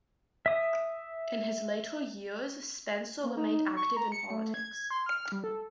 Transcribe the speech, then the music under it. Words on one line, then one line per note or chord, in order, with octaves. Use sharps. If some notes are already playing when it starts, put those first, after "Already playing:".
In his later years, Spencer remained active in politics.
E5 D#6
A#3
D#4
C#6
A#5
C#7
A3
G#6
C6
F6
G3
A4